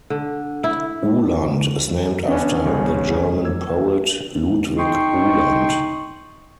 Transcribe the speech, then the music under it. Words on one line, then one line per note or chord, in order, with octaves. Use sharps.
Uhland is named after the German poet Ludwig Uhland.
D3
E4
B3 C#4 D4
G1 C2 C#3
A#3 E6 G#6
D#4 G5 C6 C#6